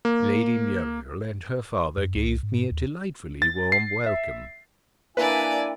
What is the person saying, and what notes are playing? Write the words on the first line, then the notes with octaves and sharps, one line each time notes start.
Lady Muriel and her father gave me a delightfully warm welcome.
A#3
F#2
C#2
C2
G#2
D#2
A6
C7
E5
A#3 D4 E4 B4 D5 G#5